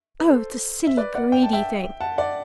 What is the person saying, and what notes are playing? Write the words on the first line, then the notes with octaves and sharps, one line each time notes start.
Oh, the silly, greedy thing!
B4
A4 C5
E5
B4 D5
D5 F#5
G5
A5
E5 G5
F#5 A5
D5 F#5